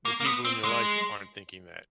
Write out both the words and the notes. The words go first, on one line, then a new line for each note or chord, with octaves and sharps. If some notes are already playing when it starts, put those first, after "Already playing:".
the people in your life aren't thinking that.
A#3
A#3
B3
C4
G#3